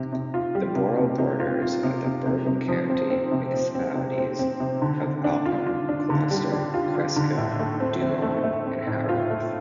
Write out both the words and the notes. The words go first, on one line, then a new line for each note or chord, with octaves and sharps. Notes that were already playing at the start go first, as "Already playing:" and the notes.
The borough borders the Bergen County municipalities of Alpine, Closter, Cresskill, Dumont and Haworth.
Already playing: C3
C3
F4
G3
C3
C3
C3
F4
F4
C3
C3
C3
C3
F3
C4
C4
C3
C4
C4
C3
C4
C4
C3
D3
D3
D4
F4
F4
D4
D3
G3
D4
F4
F4
D3
A2
A3
C4
C4
A3
A3
C4
A2
F4
A3